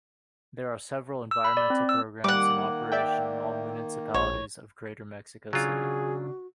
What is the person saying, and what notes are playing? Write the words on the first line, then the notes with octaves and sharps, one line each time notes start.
There are several environmental programs in operation in all municipalities of Greater Mexico City.
E6
B5
D5
C4
E6
D#3 G3 A#3 F#5 D6
D5 E5 G5
A#1 C#5
C#3 F#3 D4 F4 F#4 G#4